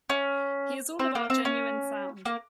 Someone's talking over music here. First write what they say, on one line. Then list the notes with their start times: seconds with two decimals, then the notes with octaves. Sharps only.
He is all about genuine sound.
0.10 C#4
0.99 C4
1.15 A#3
1.30 C4
1.45 C#4
2.25 A#3